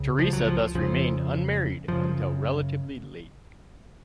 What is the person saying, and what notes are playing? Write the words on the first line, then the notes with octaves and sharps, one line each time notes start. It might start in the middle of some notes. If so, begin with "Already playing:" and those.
Theresa thus remained unmarried until relatively late.
Already playing: C#2 C#3
F3
F#3
F3
F2 C#3 F3
F#2 C#3 F3